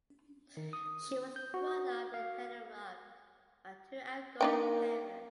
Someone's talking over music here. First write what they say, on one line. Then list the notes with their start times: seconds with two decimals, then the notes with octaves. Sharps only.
She was brought up in Hellerup by two outgoing parents.
0.57 D#3
0.73 D#6
1.36 G6
1.54 F#4
2.14 F5
4.41 A#3 D4 D#4 G5